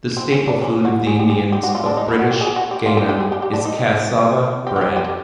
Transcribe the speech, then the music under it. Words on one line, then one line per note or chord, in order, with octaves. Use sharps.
The staple food of the Indians of British Guiana is cassava bread.
C4
C#4
D4
C#4
F#4
G#4
G4
G#4
G4
F#4
F4
D4
D#4
E4
F#4
G4
G#4
F#4
G4
F4
G4
G4
G#4
G4
G4
D4
D#4
G4
F#4
G4
G4